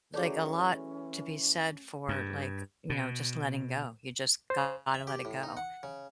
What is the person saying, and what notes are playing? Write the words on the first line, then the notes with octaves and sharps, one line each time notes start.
like, a lot to be said for, like, you know, just letting go. You just gotta let it go.
E3 F#3 A3 C#4 G#4 C#5 D5
G2
B2
C5
E5
G4
A2
D#4
F#5
C#3